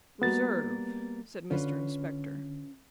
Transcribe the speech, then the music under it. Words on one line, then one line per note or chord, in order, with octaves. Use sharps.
'Reserve!' said Mr Inspector.
G3 A#3 B3 F#4 A6
D3 C#4 F4 B4